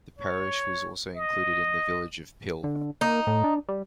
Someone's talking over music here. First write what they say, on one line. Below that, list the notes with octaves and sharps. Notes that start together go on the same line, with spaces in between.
The parish also included the village of Pill.
C#5
D#5
D3
A#3 D#4
A2
D4
G3